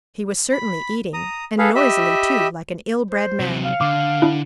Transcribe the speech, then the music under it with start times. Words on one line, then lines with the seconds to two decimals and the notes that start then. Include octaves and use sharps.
He was certainly eating, and noisily too, like an ill-bred man.
0.52 B5
1.14 A#5 D#6
1.58 G#4 A4 B4 F5
1.75 G4 D#5 E5 B5
3.11 C5
3.40 C3 F#3
3.65 F5
3.81 D3 D6
4.22 D4 E4